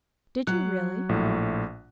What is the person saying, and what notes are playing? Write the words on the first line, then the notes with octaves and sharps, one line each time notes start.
"Did you, really?"
F#3 F#6
A#1 A2